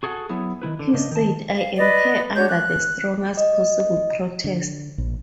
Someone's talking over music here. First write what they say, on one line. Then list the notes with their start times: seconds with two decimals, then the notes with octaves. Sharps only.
He said: I am here under the strongest possible protest.
0.03 F#4 G#4 A4 F5 F#5
0.29 F#3 B3 E4 G#4
0.62 D#3 E3 E4 B4
0.79 D3
0.94 C#3 D4 D#5
1.11 D#3 A5
1.58 F5
1.77 B4 D5 D#5
2.36 D4 F#4 C#5 G6
2.49 F#6
3.37 D#5
4.44 D3
4.98 A#1